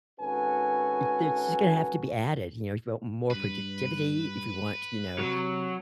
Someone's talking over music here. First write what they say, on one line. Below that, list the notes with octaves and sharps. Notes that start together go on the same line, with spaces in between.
it it's just gonna have to be added, you know, if you want more productivity, if you want, you know,
G#1 C#4 F#4 A4 B4 G#5
G2 B4
C3 F#3